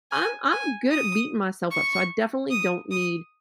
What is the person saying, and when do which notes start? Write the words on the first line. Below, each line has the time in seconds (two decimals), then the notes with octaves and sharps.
I'm I'm good at beating myself up, so I definitely don't need
0.12 G#5
0.52 G#5
0.91 D#6
1.72 C#6
2.51 D#6
2.91 D#6